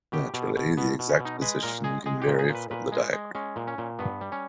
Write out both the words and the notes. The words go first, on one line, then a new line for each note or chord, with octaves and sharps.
Naturally, the exact position can vary from the diagram.
B2 G4
B2
B2
B2 B3
B2
C#4
B2
D#4
G#3 B4
A#2 A#4
G#3 G#4
G#3 G#4
G4
A#2
G#4
A#2
B4
A#2 B4
G#3
G#3
G#3 C#4
A#2
C#4
A#2
G2 B3
G3
C#4